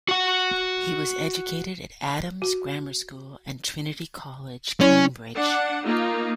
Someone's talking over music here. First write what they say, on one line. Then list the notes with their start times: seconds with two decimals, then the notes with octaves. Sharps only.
He was educated at Adams' Grammar School and Trinity College, Cambridge.
0.08 F#4 F#5
2.42 F#4
4.81 F#3 C#4 E4 C#5
5.35 D4 F#5
5.85 A#3 D#4 F4